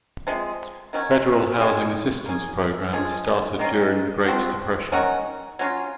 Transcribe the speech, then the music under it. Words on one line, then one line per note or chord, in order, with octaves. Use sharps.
Federal housing assistance programs started during the Great Depression.
C3 F3 G#3
D#3 F#3 C#4
G#3 C#4 F4 G#4
A#3 C#4 G#4
F3 G#3 C#4 G#4
D#3 A#3 C#4
F3 C4 F#4
D#3 F#3 C#4 F#4
F#3 C#4 F4